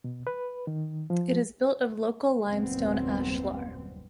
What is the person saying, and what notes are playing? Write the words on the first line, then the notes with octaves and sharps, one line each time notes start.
It is built of local limestone ashlar.
B2
B4
D#3
F3
F#1 D#2 A#2 G3 B3 C4